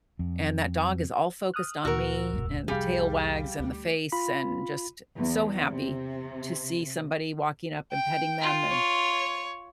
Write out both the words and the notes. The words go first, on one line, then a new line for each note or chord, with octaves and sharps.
and that dog is all focused on me and the tail wags and the face and just so happy to see somebody walking up and petting them and
F2
D#6 F6 F#6
D2 A#2 F#4 A#4 E6
E1 G2
C2 F2 G3 G#4 F5
D2
F4 B5
E2
C3
G5
F4
C#5